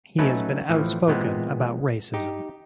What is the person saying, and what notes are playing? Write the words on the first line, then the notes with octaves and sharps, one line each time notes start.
He has been outspoken about racism.
F#3 A3 C#4 D#4 A4 B4
A2 E3 F3
A#2 E3 G#3 B3 C4
D#4 G4